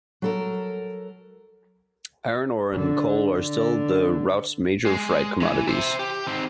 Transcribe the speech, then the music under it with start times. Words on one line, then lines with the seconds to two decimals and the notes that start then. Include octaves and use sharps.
Iron ore and coal are still the route's major freight commodities.
0.22 F#3 A4 A#4
2.74 D3
3.37 D3
4.86 G#3
5.42 E3
5.68 C5 E5
5.99 G4
6.27 D#3 C4